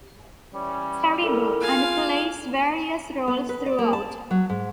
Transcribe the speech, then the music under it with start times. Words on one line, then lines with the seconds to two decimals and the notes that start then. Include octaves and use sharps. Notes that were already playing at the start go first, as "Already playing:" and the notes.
Terrible, and plays various roles throughout.
0.54 E3 G3 C#4
1.22 F#2 D3 E4 A4 A#4
1.61 F4 G#4 F5 G#5 F#6
3.28 B3
3.49 B4
3.66 D5
3.79 A#3
3.93 A5
4.31 F#3
4.50 G#2